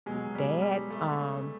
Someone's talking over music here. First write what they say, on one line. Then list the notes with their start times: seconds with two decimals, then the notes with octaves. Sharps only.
dad, um
0.06 B2 F#3 G#3
0.35 G3
0.62 G3
0.90 A3